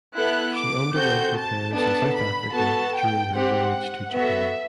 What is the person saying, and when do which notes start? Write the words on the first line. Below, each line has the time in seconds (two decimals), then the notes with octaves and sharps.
She underwent repairs in South Africa during her voyage to Japan.
0.14 B3 E4 A4 F#6
0.54 D6
0.94 C4 F#4 A4 G6
1.35 A5
1.74 B3 D4 A4 A5
2.14 B5
2.53 B3 F#4 A4 A5
2.94 G5
3.33 C4 G4 F#5
4.13 B3 F#4 A4 E5